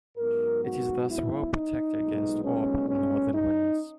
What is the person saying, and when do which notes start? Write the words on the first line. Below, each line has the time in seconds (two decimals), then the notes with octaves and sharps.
It is thus well protected against all but northern winds.
0.18 G#2 F#3 B3 A#4
0.64 F#4
1.08 E4
1.53 D#4
1.99 B1 A#2 G#3 B3
2.44 C#4
2.89 C#4
3.34 D#4